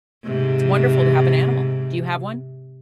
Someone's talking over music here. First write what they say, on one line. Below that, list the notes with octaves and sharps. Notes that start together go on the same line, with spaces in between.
it's wonderful to have an animal. Do you have one?
G#2 C3